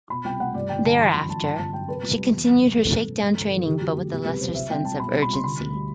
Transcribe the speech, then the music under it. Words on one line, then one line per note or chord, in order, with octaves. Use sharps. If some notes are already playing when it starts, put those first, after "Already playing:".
Thereafter, she continued her shakedown training but with a lesser sense of urgency.
B2 B5
C2 G5
A3 F#5
G2 D5
G1 G5
D3 A5
E3 C6
F#2 B5
G3 A5
G2 A5
G1 A5
F#3 G5
C3 B4
C2
G3
E2
F#1
B2
G2 A4
A1
E3
G2
G1
E3
D3 G4
F#2 F#4
A3 F#4
B2 G4
C2 B4
F#3 C5
C3 E5
C2 G5
G3 A5
B2 B5
C2
B5
G3 C6
D3 B5
D2
G3